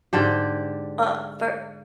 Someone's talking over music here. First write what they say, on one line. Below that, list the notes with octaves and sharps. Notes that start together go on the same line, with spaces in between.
Uh, for
G#2 D3 D4 G4